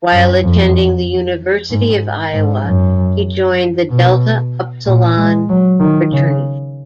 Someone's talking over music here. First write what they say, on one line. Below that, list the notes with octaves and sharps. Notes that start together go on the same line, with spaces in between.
While attending the University of Iowa he joined The Delta Upsilon Fraternity.
F#2
F2
G#2
G#2
F#2
B2
A#2
G#3
F#3
D#3
C#3